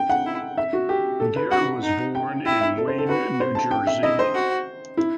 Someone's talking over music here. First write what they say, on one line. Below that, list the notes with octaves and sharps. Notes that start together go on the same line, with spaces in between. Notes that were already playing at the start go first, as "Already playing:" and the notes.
Dare was born in Wayne, New Jersey.
Already playing: G5
F#5
E4
E5
F#4
G4
A4
B4
F#4 F#5
D#4
G5
E4 G5
E5
A4
C5
A4
F#4 B4
C5
A5
G5
E5
E4 D#5
C5
F#4
E4